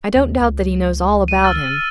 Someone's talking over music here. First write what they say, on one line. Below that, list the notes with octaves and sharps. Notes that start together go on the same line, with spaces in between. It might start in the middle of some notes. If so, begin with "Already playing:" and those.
I don't doubt that he knows all about him.
D#2
C#2
D#7
E6 F6 A6